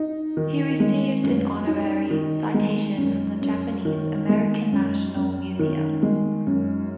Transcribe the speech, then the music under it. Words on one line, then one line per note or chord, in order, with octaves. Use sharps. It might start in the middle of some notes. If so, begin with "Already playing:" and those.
He received an honorary citation from the Japanese American National Museum.
Already playing: D#4
D#3
G#3
F#2
D#4
D#3
G#3
F#2
F#2
D#3
G#3
F#2
F#2
D#3
G#3
F#2